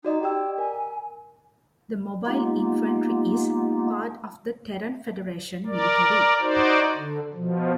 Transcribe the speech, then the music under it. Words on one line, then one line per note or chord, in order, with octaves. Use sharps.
The Mobile Infantry is part of the Terran Federation military.
D#4 F#4 D5 D#5
G4 D5 G5 E6
A#4 G#5
G#3 A#3 B3 D#4 F4 G4
A#4 D5
D#4 F#4 C5 D5
D3
B2 F3